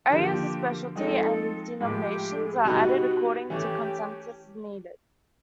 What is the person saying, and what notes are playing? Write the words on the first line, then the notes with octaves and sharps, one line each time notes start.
Areas of specialty and denominations are added according to consensus, as needed.
D3 F3 A#3 G4
F3 G#3 C4 D#4 A4
A2 F3 G#3 G4
A4
G#4
G4
B2 G3 B3 D#4 F#4
E3 A3 C#4 G4